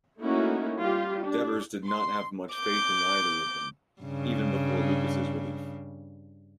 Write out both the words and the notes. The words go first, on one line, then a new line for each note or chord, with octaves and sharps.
Devers did not have much faith in either of them, even before Lucas' relief.
A3 A#3 C#4 D#4 E4 F#4
G3 F4 G4
D4
C6
D6 G6
G2 C#3